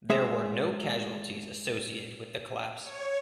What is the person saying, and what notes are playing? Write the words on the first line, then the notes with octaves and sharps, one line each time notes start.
There were no casualties associated with the collapse.
G#3 G#4 C#5 E5
C#5